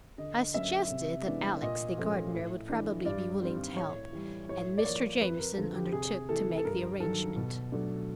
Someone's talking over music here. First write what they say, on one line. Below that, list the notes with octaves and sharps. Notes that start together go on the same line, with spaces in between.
I suggested that Alex, the gardener, would probably be willing to help, and Mr. Jamieson undertook to make the arrangement.
D3 D#5
F#3 A#3 C#4 E5
C3
E3 G#3 B3 D4
A#2 D#5
F3 A3 C#4
A2
E3 A3 D4
G2 D5
D#3 G3 C4
A2 C#5
E3 G3
A2 C#5
D5
F3 A#3 C#5
F2 B4
A#4
D3 F3 A4
G4
C3 G#4
E3 A3 A4
A4
G2 A#4
D#3 F#3 A4
B2
F#3 A3 D4